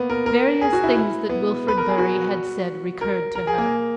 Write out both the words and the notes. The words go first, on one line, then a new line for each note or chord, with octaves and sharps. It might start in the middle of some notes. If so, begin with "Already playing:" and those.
Various things that Wilfrid Bury had said recurred to her.
Already playing: A#3 B3
A#4
A#4
G#4
F#4
E4
E4
B3
B4
A#4
G#4
F#4
A#4
A#4
G#4
A#3